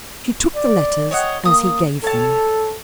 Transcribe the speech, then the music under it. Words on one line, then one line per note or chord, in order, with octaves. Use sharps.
She took the letters as he gave them.
D5
C#5 D#5 F#5
A#3 D#6
A4 C#5 A5